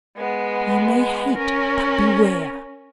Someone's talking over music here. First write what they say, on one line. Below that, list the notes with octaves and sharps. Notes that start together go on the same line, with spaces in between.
You may hate, but beware!
G#3 B3
C#4 A#4